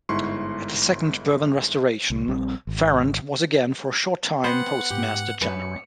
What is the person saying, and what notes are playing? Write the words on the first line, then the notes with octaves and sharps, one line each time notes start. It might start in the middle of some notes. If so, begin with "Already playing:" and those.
At the second Bourbon restoration Ferrand was again for a short time postmaster general.
G1 G#2 E4 C6 C#6
C2
A#1 G3 C4
G#1
B3 C4 C5 F#5
G#2 G4
F#2 B4 C#7